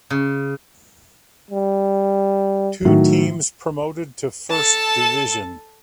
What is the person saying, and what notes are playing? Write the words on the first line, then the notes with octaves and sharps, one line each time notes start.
Two teams promoted to First Division.
C#3
G3
A2 D#3 F#3
A4 A5